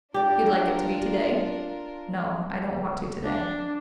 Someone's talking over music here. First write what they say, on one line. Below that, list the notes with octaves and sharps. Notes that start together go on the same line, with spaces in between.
You'd like it to be to-day? No, I don't want to to-day.
D4 F4 G4 A#4 D5
D4